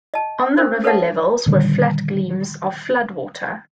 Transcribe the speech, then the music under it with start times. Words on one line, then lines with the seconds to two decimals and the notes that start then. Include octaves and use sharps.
On the river levels were flat gleams of flood water.
0.14 D#5 A5
0.58 C#4 A#4 C5
0.84 A4 B4 C#5 E5 F#5 A5
1.46 A#2 D3 D#3 G3